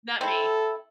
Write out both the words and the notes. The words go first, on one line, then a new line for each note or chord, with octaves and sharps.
Not me.
C4 E4 A4